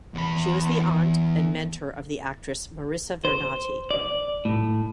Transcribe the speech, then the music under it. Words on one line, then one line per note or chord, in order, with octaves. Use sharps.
She was the aunt and mentor of the actress Marisa Vernati.
E2 B5
C5
D5
A2